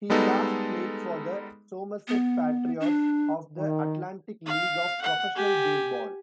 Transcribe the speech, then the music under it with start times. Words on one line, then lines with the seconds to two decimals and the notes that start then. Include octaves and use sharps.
He last played for the Somerset Patriots of the Atlantic League of Professional Baseball.
0.10 G3 G#3 B3 D#4 A4
2.08 B3
2.80 D4
3.57 D#3
4.46 F5
5.02 F#5
5.35 G4 G#5